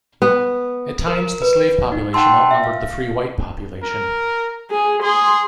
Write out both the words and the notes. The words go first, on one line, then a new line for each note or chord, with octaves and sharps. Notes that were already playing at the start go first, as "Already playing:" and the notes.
At times the slave population outnumbered the free white population.
B3
A#4
B4
D#4
F#5 G5 A5 C6 E6
E5
F5
A#4
G#4
G#4 C6